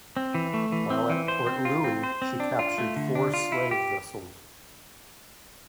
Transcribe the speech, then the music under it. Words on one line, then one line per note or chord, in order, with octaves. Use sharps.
While at Port Louis she captured four slave vessels.
C4
E3
A3
E3
C4
E3
C5
C4
F4
C4
C5
C4
D4
F4
A3
D3
D4
F4
E4
G4